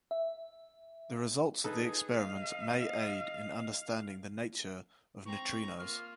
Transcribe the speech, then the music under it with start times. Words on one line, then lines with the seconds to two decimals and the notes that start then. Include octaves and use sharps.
The results of the experiment may aid in understanding the nature of neutrinos.
0.11 E5
1.64 D#4 G#4 A4 B4
2.18 D#5 F5
5.26 C4 A#5 C#6
5.79 A#3 F4 F6